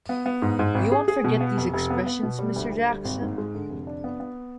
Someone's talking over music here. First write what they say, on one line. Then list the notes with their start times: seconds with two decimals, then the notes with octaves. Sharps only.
You won’t forget these expressions, Mr. Jackson?
0.09 B3
0.26 B3
0.42 G#2
0.59 G#2
0.75 G#1
0.92 G#4
1.08 G#4
1.24 B2
1.41 B3
1.58 F1
1.73 F1
1.90 B3
2.07 B3
2.23 B2
2.39 G3
2.56 D2
2.72 D2
2.89 G3
3.05 G#1
3.22 G#2
3.38 G#3
3.55 D3
3.70 F1
3.87 D4
4.04 B3
4.20 B3